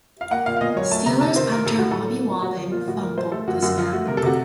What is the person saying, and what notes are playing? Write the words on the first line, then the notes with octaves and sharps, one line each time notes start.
Steelers punter Bobby Walden fumbled the snap.
F5
A#3 F#5
A#2 F5
F5
A#2 D#5
F#3 C#5
A3 A5
C3 A#5
C3 A5
D#3 C5
A#3 A#4
A2 A4
A2 F#4
A4
F#3
A#3
A#2
A#2 F#4
F3
A#3 F4
A2 F#4
A2 A#4
F#3 C5
A3 A4
F#2 F#4
F4
F#2 F#4
F3 F4
A3 F#4
C3 A#4
A4
C3 F#4